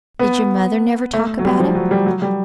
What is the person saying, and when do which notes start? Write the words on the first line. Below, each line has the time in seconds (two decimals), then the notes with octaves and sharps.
"Did your mother never talk about him?"
0.19 B3
1.14 A3
1.39 F#3
1.45 G3
1.59 F3
1.75 F#3
1.91 G3
2.06 F#3
2.22 G3